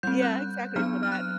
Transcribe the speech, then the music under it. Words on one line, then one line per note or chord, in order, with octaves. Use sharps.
Yeah, exactly for that.
G3 C4 G6
F#6
F#3 B3 D4 F6
F6
F#6